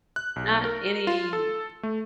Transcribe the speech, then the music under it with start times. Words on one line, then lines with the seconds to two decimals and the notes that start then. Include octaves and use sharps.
not any,
0.16 F#6
0.36 B1
0.65 A#4
1.07 F4
1.33 A4
1.83 A3